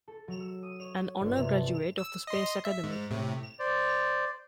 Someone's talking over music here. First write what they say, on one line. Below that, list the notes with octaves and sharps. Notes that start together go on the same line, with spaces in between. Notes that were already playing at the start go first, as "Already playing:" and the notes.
An honor graduate of the Space Academy.
A4
F#3
E6
D#6
C#5
G1
C3
A5
E6
D#5 C6
E5
G#2
A2 C3
C5 D5